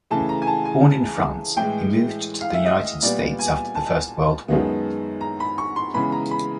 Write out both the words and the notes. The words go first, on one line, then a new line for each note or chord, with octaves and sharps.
Born in France, he moved to the United States after the First World War.
C#3 E3 A3 A5
A#5
G#5
A5
G#5
A2 E3 G#3 G5
F5
E5
D#5
A#2 G3 B3 D5
G#5
A5
F#2 D#3 G#3 B3
A#5
B5
C#6
C6
C#3 E3 G#3 B3 B5
A#5
B5